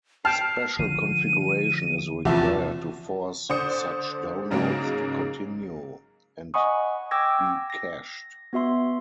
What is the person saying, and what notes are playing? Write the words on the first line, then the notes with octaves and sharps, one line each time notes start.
Special configuration is required to force such downloads to continue and be cached.
G5 A5 F6 C7
D3 F3 D#7
E2 C3 F3 F#4 E5 A5
D3 C5 D5 D#6 C#7
G#2 C#3 F#3 G#3 A#3
D#5 F#5 G#5 B5 C#6 D#6
G5 D6 E6 G#6 A#6
A#6
B3 F#4 E5 C6